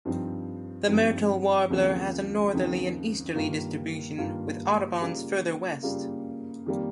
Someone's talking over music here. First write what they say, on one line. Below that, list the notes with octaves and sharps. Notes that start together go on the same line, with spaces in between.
The myrtle warbler has a northerly and easterly distribution, with Audubon's further west.
G2 F3 C4 D#4
G2 F3 C4 D#4
D#2 C#3 F3 C4 D#4
D#2 C#3 F3 C4 D#4
G2 D#3 A#3 F4
G2 D#3 A#3 F4
C#3 G3 A#3 F4
C#3 G3 A#3 F4
F2 D#3 G3 A#3